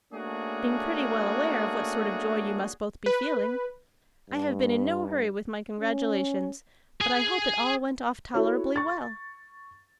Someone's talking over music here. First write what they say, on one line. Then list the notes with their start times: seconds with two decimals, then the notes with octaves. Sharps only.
Being pretty well aware of what sort of joy you must both be feeling, I have been in no hurry with my congratulations; but I hope it all went off tolerably well.
0.12 A3 A#3 C#4 D4 F#4 G#4
3.06 B4
4.30 G2
5.80 C#4
7.01 G#4 G#5
8.34 E4 F#4 A4 C#5
8.76 C#6 A6